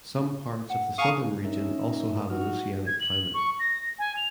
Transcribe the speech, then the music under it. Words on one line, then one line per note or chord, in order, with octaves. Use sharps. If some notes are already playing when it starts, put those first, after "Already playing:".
Some parts of the southern region also have an oceanic climate.
F#5
E5 F5 G#5 A#5 C#6 D#6
C#4 D#4 A#4 E5
F3 D#4 F#4 F6
G#6
F#7
C#6
A#6
G#5
F7